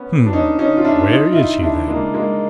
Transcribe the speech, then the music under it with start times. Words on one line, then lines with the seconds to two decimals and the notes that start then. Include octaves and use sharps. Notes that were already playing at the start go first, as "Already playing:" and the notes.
"Hm, where is he, then?"
Already playing: B3 C#4
0.26 D4
0.33 C#4 D#4
0.59 C#4 D#4
0.77 F4
0.84 D4 E4
1.10 D#4 F4
1.32 E4
1.36 D#4 F4
1.62 D4 E4
1.88 G#3 A#3
2.14 G#3 A#3